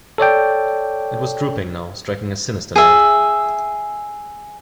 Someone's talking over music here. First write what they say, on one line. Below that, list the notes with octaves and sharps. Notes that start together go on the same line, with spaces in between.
It was drooping now, striking a sinister note.
A4 C#5 D5 G5
G#4 E5